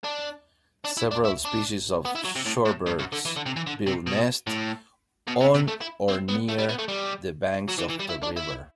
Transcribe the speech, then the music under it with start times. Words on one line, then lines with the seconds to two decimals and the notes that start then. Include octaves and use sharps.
Several species of shorebirds build nest on or near the banks of the river.
0.04 D4
0.85 D4
0.97 E4
1.11 D4
1.25 E4
1.45 D4
2.05 B3
2.15 E4
2.25 F#3
2.35 C3
2.45 A2
2.65 A2
2.86 G2
2.99 F#2
3.12 D3
3.25 E3
3.36 D3
3.46 C3
3.56 E3
3.67 D3
3.87 C3
4.07 B2
4.47 A2
5.28 B2
5.41 C3
5.54 C3
5.68 A3
5.81 E4
6.08 C4
6.28 B3
6.48 A3
6.58 G3
6.69 B3
6.78 A3
6.88 G3
7.69 F#3
7.79 E3
7.90 E3
8.00 G3
8.10 E4
8.23 D4
8.37 E4